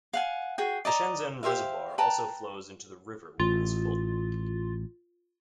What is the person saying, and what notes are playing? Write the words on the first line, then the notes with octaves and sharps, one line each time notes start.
The Shenzhen Reservoir also flows into the river when it is full.
F5 F#5 G#5
F#4 G#4 G5
D5 D#5 A#5
G4 C5 E5 F5
B4 G5 A5 A#5
A1 F4